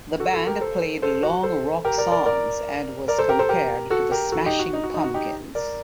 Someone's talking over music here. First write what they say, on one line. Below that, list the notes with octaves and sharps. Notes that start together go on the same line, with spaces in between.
The band played long rock songs and was compared to The Smashing Pumpkins.
F#4 A4
F#4 A4
G4 A#4
A4 C5
A4 C5
F#4
A4 C5
G4 A#4
A#4 D5
A#4 D5
A#4 D5
A#4 D5
A4 C5
G4 A#4
A4 C5
G4 A#4
F#4 A4
G4 A#4
F#4 A4
D#4 G4
F#4
D#4
F#4
D#4
F#4
D#4 G4
A#4 D5